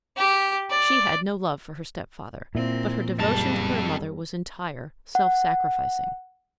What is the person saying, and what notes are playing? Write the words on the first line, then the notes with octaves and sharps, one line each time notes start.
She had no love for her stepfather, but her devotion to her mother was entire, self-sacrificing.
G4
D5
A#2 A#3 C4 E4
F#1 F2 G3 A5 A#6 F7
F#5